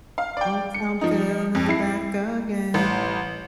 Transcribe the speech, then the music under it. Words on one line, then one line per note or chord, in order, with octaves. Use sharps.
Motown Philly back again,
F5
D5 G5
C#7
F3 D#4
F2
E4 C7
A1